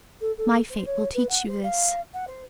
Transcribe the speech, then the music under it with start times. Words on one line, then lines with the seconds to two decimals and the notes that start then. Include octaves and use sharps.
My fate will teach you this..
0.21 A4
0.38 A4
0.70 C5
0.86 C#5
1.14 B4
1.29 F#5
1.48 C5
1.63 F5
2.14 F#5
2.27 C5